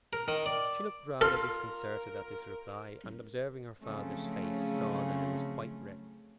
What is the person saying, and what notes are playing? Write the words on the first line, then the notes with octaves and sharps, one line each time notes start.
She looked rather disconcerted at this reply, and observing her father's face, saw that it was quite red.
A#4
D#3
D5
F4 A4 A#4 F6
C#3 F3 F#3 A3 C4 C#4